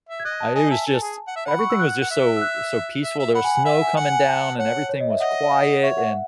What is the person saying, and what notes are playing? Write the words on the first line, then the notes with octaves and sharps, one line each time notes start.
uh, it was just everything was just so so peaceful, there was snow coming down and everything was quiet and
E5
G#6
D#5 F#6
A5
D#5 G#5
E5 A5
A4
G#4
F#5
E5
F#5 B5
C#6
E6
F#6
F#5
E5
E6
F#6
E5
E5
F#5 B5
G#5
G#5
E5 F#5
G#5
F#5
G#5
A5
C#5 F#5
C#5
D#5
E5
D#5 F#5
F#5
C#5 E5
F#5